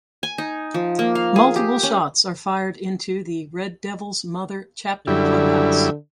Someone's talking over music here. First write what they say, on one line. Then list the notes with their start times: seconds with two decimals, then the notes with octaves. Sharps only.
Multiple shots are fired into the Red Devils Mother chapter clubhouse.
0.23 G#5
0.38 D#4
0.74 F3
0.99 A#3
1.15 F5
1.36 G#4
1.56 G4
1.83 C#4
5.07 F#2 D3 G3 E4